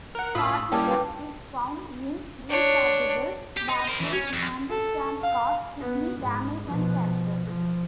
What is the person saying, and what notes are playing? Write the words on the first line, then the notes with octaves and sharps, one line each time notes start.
Cadmium is found in rechargeable batteries and can cause kidney damage and cancer.
A#4 F#5
A2 F4 B5 D#6 E6
G3 A#3 C#4 G5 A5 D6
B4 G5
D4 C#5
G4
D#4
A#4 C5
E3 A3
C#4
F2
A4
F5
B3
G#2
B2 F3
F3